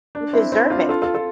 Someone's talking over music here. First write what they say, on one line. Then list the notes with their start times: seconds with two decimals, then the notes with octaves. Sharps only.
you deserve it.
0.15 D4
0.33 C4 E4
0.52 C4 E4
0.70 D4 F4
0.89 F4 A4
1.02 F4 A4
1.14 F4 A4